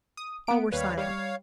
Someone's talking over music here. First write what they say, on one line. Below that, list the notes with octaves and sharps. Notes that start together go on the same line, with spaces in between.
All were silent.
D#6
B3 D7
D#2 G3 B4 C#5 F5
G3 C#5 F5